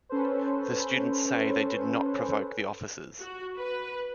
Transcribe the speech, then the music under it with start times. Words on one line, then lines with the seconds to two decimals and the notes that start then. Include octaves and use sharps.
The students say they did not provoke the officers.
0.09 C#4 A4 B4 C5
3.19 F#4
3.56 B4